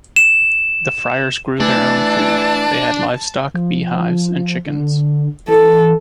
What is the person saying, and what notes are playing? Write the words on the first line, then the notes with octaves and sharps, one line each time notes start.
The friars grew their own food, they had livestock, bee hives and chickens.
E7
E3 A3 D4 A5
F3
D3
E3 A4